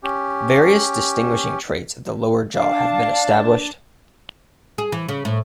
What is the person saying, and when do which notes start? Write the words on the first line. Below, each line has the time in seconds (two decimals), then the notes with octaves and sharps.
Various distinguishing traits of the lower jaw have been established.
0.03 C#4 G4
2.55 D4 F5 A5
4.78 G#4
4.92 E3
5.09 C#3
5.25 A2